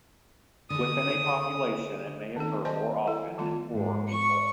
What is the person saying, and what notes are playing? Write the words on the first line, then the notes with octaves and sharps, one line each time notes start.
Within a population it may occur more often in poorer people.
D3 G#4 D#6
D#3 C4 D#4 A4
C5 D5 D#5 G#5 A5 C6
E4 A4
D#3 G3 A3 B3 F4
G#2
C#6